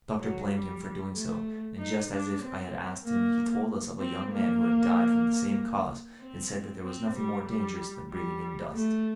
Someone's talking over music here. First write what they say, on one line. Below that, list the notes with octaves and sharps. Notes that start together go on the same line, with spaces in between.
The doctor blamed him for doing so, and just as if I had asked him he told us of a young man who had died from the same cause, and said that there was nothing more dangerous than breathing in dust.
F#3
G3
A3
D#4
D4
C4
A#3
C4
A#3
C4
C4
G3
G3
G3
A3